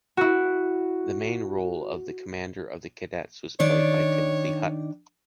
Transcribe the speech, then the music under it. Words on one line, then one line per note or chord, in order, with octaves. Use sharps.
The main role of the commander of the cadets was played by Timothy Hutton.
E4 F#4
D#3 D4 C#5 D5